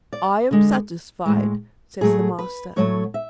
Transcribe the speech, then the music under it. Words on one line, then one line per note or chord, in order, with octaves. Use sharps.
"I am satisfied," says the master.
D5
D3 G#3
A2 G#3
A2 F#3 A3 G#4
B4
A2 F#3 A3 C#5
E5